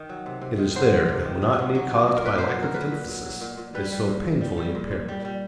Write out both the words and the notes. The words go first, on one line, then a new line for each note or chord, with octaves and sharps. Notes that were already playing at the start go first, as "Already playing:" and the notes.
It is there that monotony caused by lack of emphasis is so painfully apparent.
Already playing: D#3
F#3
C3
C3
D#3
F#3 C5
C3
C3
D#3
F#3
C3
F#3
F#3
A#2
A#4
A#2 B4
F#3 C5
F#3 A#4
A#2 B4
A#2
F#3
F#3
A#2
A#2
G3 B4
G3
A#2
A#2
G3
G3
A#2
A#2
G3
G3